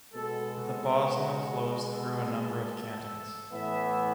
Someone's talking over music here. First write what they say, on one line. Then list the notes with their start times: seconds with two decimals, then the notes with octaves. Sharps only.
The Bosna flows through a number of cantons.
0.13 B2 G#3 B3 A4
0.56 F#4
1.84 A4
3.52 A2 E3 B3 E5